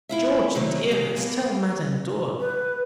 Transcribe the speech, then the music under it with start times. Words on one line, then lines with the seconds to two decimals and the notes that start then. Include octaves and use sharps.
George, dearest, tell Madame Dor.
0.09 E4 F4 E5
0.55 C3 D#3 F#3 A3 A#3
0.91 D2 G#3 G4
1.17 G#3 A#3 B3
2.40 B4